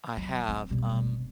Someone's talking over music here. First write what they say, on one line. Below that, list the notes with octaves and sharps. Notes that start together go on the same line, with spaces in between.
I have, um
F#3
C4
B2 G3
G1 C3